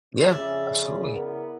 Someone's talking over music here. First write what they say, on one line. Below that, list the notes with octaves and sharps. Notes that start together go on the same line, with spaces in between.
Yeah, absolutely.
F2 C#3 C#4 D5 E5
B3 E4 A#4